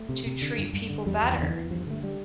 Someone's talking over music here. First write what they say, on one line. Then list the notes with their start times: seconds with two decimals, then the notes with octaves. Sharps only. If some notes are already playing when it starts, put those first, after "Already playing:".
to treat people better,
Already playing: A3
0.09 C3
0.26 C3
0.42 D3
0.58 G2
0.73 G2
0.89 D3
1.06 E2 G3
1.23 E2 E3
1.39 E2 D3
1.49 E3
1.55 E2
1.70 G2 F3
1.87 D3 A3
2.03 G3